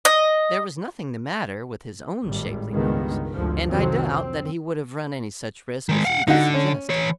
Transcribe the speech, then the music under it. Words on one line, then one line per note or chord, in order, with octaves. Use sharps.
There was nothing the matter with his own shapely nose, and I doubt that he would have run any such risk as Edith suggested.
D#5
G#1 A2 D#3 G3
C#2 G2 D#3 G#3 B3
G#1 D2 G2 F3
C2 F2 D#3 F3 F#3 C4
C4
D#3 G#3
F5 F#5
D3 D#4 F#4
C#4
E3 C#5